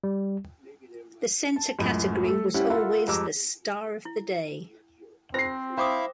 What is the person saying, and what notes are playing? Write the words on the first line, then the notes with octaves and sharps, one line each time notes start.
The center category was always the "Star of the Day".
G3
A5
C#2 F#2 A2
A3 A4
G3 C#4 E4 G4 F#5
F4 A4 A#4 E5 F#5 B5
F2 G3 G#3 A#5 D6 E6
E4
C4 F4 C5 A#6 C7
E4 C5 E5 F5 G5 D6 D#6